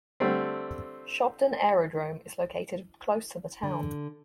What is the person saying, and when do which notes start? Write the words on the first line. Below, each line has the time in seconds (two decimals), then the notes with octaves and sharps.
Shobdon Aerodrome is located close to the town.
0.20 D3 G3 A3 C4
3.63 D3